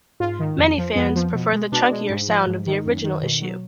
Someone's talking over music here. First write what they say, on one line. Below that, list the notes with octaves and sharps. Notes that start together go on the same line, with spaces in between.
Many fans prefer the chunkier sound of the original issue.
G#2 F4
D#3
F2
F3
F2 B3
F3
B2
G#3
B2 D4
G#3
G#2
F3
G#2
D#3
F#2
D#3
B2
F#3